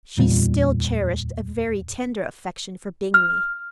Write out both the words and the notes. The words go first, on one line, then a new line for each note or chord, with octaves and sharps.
She still cherished a very tender affection for Bingley.
D1 E2 A#2 G3
F6